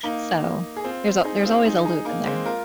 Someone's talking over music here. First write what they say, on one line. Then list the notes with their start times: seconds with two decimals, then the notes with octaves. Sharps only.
So, there's a there's always a loop in there.
0.03 A#3 D#4
0.76 G#4
0.84 C4 F4
1.24 D#4 G#4
1.45 C4 F4
1.65 D#4 G#4
1.85 D#4 G#4
2.05 A#3 D#4
2.26 G#3 C4
2.46 F4 A#4